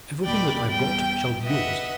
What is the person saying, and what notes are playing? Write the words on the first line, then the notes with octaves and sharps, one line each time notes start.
Everything that I've got shall be yours.
D#2 A#2 D5 G5 B5
E2 G3 G5
B4 D#5 E5 F#5